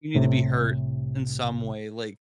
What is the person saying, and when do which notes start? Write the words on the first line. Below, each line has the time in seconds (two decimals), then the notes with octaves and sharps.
you need to be hurt in some way, like
0.14 C2 A2 C3